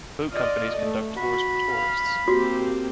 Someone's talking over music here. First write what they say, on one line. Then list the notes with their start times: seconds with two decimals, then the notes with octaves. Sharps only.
Boat companies conduct tours for tourists.
0.30 F4 D5 D#5
0.77 A3
1.17 F#4 B5
1.70 F5
2.28 A#3 C4 F#4 G4